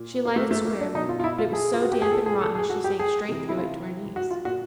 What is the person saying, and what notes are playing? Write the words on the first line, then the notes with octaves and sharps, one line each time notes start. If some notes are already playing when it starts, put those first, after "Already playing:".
She alighted squarely, but it was so damp and rotten that she sank straight through it to her knees.
Already playing: A#2
A#3
A3
A3
A#3
D4
B2 D#4
F4
F4
E4
F4
G#4
F4
F#4
G4
G#4
A#2 A4
G#4
A4
G#4
F#4
G4
G#4
C3 E3
E4
F4
F#4
F4
A#2 F#4